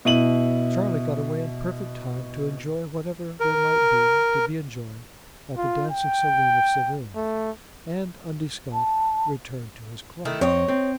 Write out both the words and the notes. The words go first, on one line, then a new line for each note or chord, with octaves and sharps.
Charley got away in perfect time to enjoy whatever there might be to be enjoyed at the dancing saloon of Seville, and Undy Scott returned to his club.
B2 E4 D#7 F#7
A#4
F4
G5
A3
A5
D#3 A3 E4
F2 C4 C#5 D#5
C4